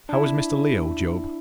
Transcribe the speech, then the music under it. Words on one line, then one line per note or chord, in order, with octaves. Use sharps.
"How is Mr. Leo, Job?"
D4 E4